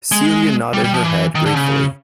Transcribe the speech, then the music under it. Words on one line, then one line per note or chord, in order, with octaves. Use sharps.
Celia nodded her head gratefully.
G#3
G3
G3
F3
E3
D#3
D3
C#3